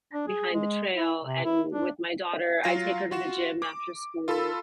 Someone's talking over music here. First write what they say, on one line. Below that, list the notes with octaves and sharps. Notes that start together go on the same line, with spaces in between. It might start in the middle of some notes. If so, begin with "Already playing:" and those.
behind the trail, and with my daughter, I take her to the gym after school,
D4
G#4
G#3
E4
C3
E4
D4
F#3 F4 F5 A#6 C7
F4 F#4 E7
D6
F4 A4 B5 E6